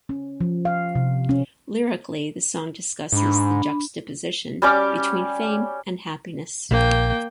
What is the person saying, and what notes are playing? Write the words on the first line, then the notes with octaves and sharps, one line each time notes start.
Lyrically the song discusses the juxtaposition between fame and happiness.
C#4
F3
F5
C3
C#4
G#2 D4 B5
G3 C#4 D6
A#1 A#3 G5